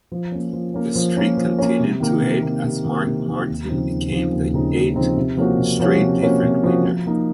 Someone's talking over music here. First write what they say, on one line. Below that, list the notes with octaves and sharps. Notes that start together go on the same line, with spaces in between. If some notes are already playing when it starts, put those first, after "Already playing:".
The streak continued to eight as Mark Martin became the eight straight different winner.
F3
A#3 C#4
F3
A#3 C#4
F3
A#3 C#4
F3
A#3 C#4
C3
D#3 A#3
C3
D#3 A#3
C3
D#3 A#3
C3
D#3 A#3
D#2
C#3 F3 C4 D#4
D#2
C#3 F3 C4 D#4
D#2
C#3 F3 C4 D#4
D#2
C#3 F3 C4 D#4
C3
F3 A#3 C#4 F#4
C3
F3 A#3 C#4 F#4
C3
F3 A#3 C#4 F#4
C3
F3 A#3 C#4 F#4
F3
A#3 D#4